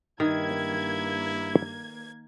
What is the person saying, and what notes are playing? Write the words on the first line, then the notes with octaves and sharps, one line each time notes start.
He expects them to carry messages for him to their kindred.
G2 D#3 A#3 E4 G#6